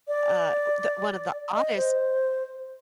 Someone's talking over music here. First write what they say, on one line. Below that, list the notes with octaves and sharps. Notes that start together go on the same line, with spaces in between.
Uh, d one of the oddest
D5
D#5
C5